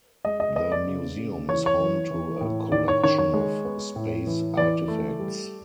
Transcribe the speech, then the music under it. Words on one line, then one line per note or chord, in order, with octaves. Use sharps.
The museum is home to a collection of space artifacts.
G#3 D#5
D#5
B3 D#5
D5
C#3
C#3
E3 C#5
C#5
E3
E3
A2
D#3 D5
C#5
D#3 C#5
C#5
G#3
B3
A2
E3
E3 D5
A3
G3